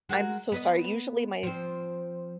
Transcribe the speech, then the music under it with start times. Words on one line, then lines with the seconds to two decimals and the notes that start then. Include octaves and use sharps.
I'm so sorry, usually my
0.09 G#3 F#4 A#4
0.52 B3 B4 D#5
1.43 F3 C4